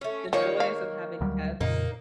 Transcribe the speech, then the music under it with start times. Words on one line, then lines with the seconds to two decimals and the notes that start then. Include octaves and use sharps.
the joys of having pets.
0.01 A3 C#4
0.33 D#3 F3 A#3 C#5
0.60 F5
1.21 D2 F#3 G3
1.61 F2 A#2 C#3 A#3 D#4